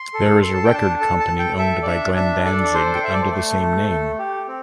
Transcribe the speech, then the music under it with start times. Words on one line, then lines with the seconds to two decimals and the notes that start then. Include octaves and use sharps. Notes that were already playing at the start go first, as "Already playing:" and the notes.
There is a record company owned by Glenn Danzig under the same name.
Already playing: C6
0.14 A4
0.42 A4 C6
0.54 A5
0.65 G5
0.72 D4 A5
1.00 A4 A5
1.20 A5
1.29 A4
1.39 G5
1.58 A4 E5
1.83 D5
1.86 D4 E5
2.15 D4 E5
2.45 A4 D5
2.64 D5
2.74 A4 C5
2.95 G5
3.03 A4 E5
3.13 D5
3.22 C5
3.31 A3 A4
3.61 A3
3.89 A3
4.19 G4
4.47 C4